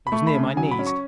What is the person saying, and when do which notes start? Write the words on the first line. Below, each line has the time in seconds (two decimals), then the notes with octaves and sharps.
It was near my knees.
0.07 B5
0.12 A3 C#6
0.27 B5
0.34 C#3
0.57 F#3 G#5
0.71 B5
0.79 C#4
0.87 C#6